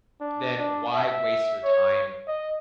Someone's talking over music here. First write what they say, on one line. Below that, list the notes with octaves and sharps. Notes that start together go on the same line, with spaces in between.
then why waste your time
D4
D4
E5
C#5
D#5